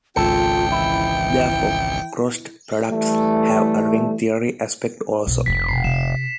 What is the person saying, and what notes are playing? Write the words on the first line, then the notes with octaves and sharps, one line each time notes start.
Therefore crossed products have a ring theory aspect also.
G#1 C#2 F4 A4 G5 C#7
E3 E4
E3 G3 A3
B1
F1 C3 C4 B6
B2 C7
C3 E7